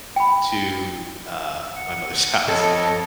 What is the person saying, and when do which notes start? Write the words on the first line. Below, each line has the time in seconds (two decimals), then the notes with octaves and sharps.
to, uh, my mother's house?"
0.16 G5 B5
1.76 F#5
2.48 F2 A4 C#5 D#5